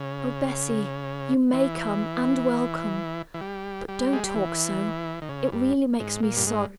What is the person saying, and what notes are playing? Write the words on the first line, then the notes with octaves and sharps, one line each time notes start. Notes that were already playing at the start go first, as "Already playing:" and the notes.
'Oh Bessy! you may come and welcome; but don't talk so--it really makes me sorry.
Already playing: C#3
E3
E3
G3
G3
G#3
G3
E3
D#3
C#3
G2
G#2
A#2
G2
G#2